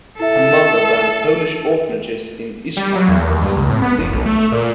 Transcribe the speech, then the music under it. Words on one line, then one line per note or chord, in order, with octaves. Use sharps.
Her mother ran Polish orphanages in Isfahan and New Zealand.
E4 A4 E5
G3
F#3
E2
D#2
G2
C#2
A2
B3
F1
B1
A3
A#2